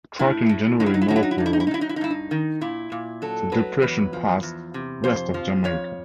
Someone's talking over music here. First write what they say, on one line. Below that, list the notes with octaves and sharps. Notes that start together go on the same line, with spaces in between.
Tracking generally northward, the depression passed west of Jamaica.
A2 E4
A2
F#3 D#4
E4
D#4
E4
F#3 D#4
E4
D#4
E4
G2 D#4
E4
D#4
E4
D#4
F#3 E4
D#4
E4
D#4
G2 E4
D#4
D#3
A#2 E4
A#2
F#3 A4
F#3 B4
E2 B4
F3
E2
C3
F2 C5
F3
F2 C#5